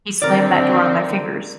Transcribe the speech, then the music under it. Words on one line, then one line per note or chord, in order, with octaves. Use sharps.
he slammed that door on my fingers,
D3 D#3 C4 A#4 D5